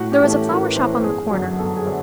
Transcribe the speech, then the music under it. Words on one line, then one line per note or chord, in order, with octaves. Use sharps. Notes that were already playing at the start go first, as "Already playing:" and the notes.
There was a flower shop on the corner.
Already playing: A2 F#4
G4
E3 A3 C#4
A4
A2 A#4
B4
E3 A3 C#4 C5
B4
G1 G#4
F#2 D3 F#3
G1 A4
G#4
D3 F#3